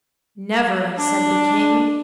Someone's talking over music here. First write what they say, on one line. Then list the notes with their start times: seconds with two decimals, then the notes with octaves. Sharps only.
"Never!" said the King.
0.98 D4